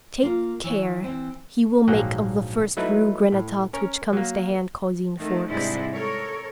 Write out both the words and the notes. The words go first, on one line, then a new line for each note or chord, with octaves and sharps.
Take care! he will make of the first Rue Grenetat which comes to hand Caudine Forks.
A#3 F4
E3 C#5
E3 C4
A#1 G#2 F#3 A#3 F#5 G5
F#3 A3 D#4 E4 B4
A2
C#4 A#4 C#5
F#3 A#3
D#3 A3
G#2 C3 G3 G#3 D4 E4
A4 A#4 C#5